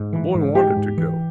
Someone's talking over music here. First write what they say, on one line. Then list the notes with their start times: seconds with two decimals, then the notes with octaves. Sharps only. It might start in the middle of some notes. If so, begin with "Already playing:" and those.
The boy wanted to go.
Already playing: G#2
0.13 E3
0.34 G#2
0.55 G#3 G4
0.77 G#2
0.98 E3